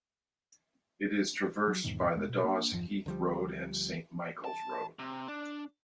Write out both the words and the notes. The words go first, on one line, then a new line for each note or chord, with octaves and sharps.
It is traversed by the Daws Heath Road and Saint Michael's Road.
F#3
E2 G#2 B2 D#3
E1 G#3 B3
B2
A#3 C#4 D4
G#1 F2 F3
D2 F3 G3
A5
C3
D4